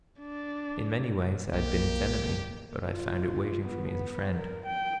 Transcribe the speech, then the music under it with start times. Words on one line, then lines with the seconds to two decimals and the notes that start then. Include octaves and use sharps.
In many ways I had been its enemy, but I found it waiting for me as a friend.
0.20 D4
1.54 B1 A#3 G4
2.89 F4
3.64 B3
4.35 A#4
4.67 G5